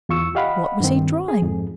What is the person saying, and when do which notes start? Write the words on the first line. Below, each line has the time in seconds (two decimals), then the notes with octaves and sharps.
What was he drawing?
0.09 E2 F4 C#6 E6
0.35 G4 D#5 F5 F#5 B5
0.80 G2 D#3 C4
1.28 G#4
1.42 F2 G#2